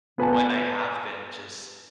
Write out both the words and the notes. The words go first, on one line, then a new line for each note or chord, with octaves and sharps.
when I have been just
B3 B4 G#5 A5